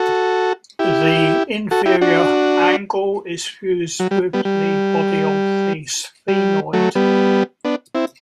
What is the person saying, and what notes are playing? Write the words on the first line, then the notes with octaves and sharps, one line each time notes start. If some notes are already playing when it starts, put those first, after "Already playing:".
The inferior angle is fused with the body of the sphenoid.
Already playing: F#4 A4
E4 G4
F#4 A4
E4 G4
D4 F#4
F#3
G3
G3 B3
G3
G3
F#3 A3
G3 B3
B3 D4
C4 E4